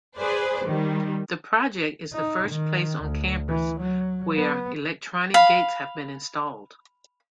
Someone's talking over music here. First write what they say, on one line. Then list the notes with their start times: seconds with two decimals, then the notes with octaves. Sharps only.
The project is the first place on campus where electronic gates have been installed.
0.16 G#4 B4 C5 D5
0.65 D#3 G3
2.13 D#4
2.50 D#3
3.04 D2
3.48 E3
3.81 F#3
4.37 B3
5.34 F5 B5